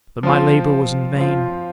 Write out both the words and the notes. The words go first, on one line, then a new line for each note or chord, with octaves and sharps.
But my labor was in vain.
F3 C4 F4
F3 C4 F4